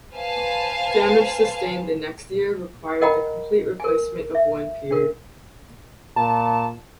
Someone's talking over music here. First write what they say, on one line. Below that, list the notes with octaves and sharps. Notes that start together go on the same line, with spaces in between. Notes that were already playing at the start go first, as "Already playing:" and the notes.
Damage sustained the next year required the complete replacement of one pier.
B4 C5 F5 G#5 A5
A#4 D#5 F#5 G5 A#5 B5
A#4 G#5
E5
D4 A#4
A#2 A5